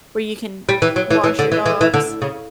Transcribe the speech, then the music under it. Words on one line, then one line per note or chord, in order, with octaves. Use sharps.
where you can wash your dogs
G3
E3
F#3
E3
E3
D3
E3
E3
E3
D3
C#3